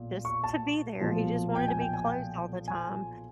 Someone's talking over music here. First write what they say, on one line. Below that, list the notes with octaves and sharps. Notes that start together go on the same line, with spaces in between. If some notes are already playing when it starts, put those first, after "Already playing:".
just to be there, he just wanted to be close all the time,
Already playing: B1 A#2
C#6
A5
B1 A#2 F3
G5
G#5
G5
G#5
G5
G#5